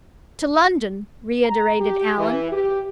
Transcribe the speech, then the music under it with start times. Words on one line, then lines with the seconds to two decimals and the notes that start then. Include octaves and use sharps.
"To London!" reiterated Allan.
1.45 A#5
1.80 G4
2.18 E3
2.51 G4